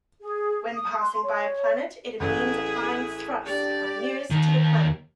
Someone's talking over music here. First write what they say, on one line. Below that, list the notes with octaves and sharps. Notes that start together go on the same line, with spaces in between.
When passing by a planet it means applying thrust when nearest to the planet.
G#4
D#6
C6
C#5
A1 E4 G#4
D4 G4 D5
D#2 D#3